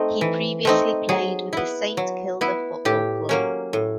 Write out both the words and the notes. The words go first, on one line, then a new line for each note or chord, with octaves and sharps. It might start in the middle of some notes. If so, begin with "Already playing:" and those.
He previously played with the Saint Kilda Football Club.
Already playing: A3 C4 D#4
E3
A3 C4 D#4
F#3 G#4
B3 E4
F#3
B3 E4
A2 G4
F#3 A#3 C#4
A2